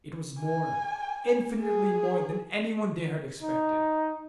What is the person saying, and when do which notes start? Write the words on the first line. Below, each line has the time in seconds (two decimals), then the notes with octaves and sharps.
It was more, infinitely more, than anyone there had expected.
0.40 G#5
1.61 G#4
3.42 D#4